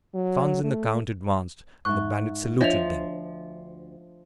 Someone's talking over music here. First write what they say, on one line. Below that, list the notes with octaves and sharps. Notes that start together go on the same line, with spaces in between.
Franz and the count advanced, and the bandit saluted them.
F#3
A3
G#2 E5 C#6 F#6
D2 F3 D4 C#5 D#5 E5 F7